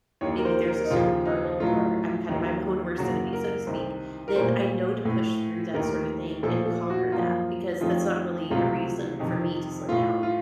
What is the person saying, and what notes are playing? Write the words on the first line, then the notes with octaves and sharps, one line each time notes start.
maybe there's a certain hurdle or I'm kinda my my own worst enemy, so to speak, then I know to push through that sort of thing and conquer that because that's not really a reason for me to slow down.
D#2 D#3 A#3 C#5
A#4
C5
A#4
D#4
D#2 C#3 F3 F4
D#4
A2 F#3 A3 F4
D#2 D#3 F#3 A#3
F#2 C#3 F#3 A#3 F#4
A#4
C2 C3 D#3 C5
A#4
A#2 A3 C5
A2 A3
D#2 D#3 A3 A#4
A#2 F3 A3 A4
A4
F#4
F#2 F3 A#3 F4
F2 D#3 A3 F4
C#2 C3 F#3 A3 F4
F2 C3 D#3
A2 A3 F4
F4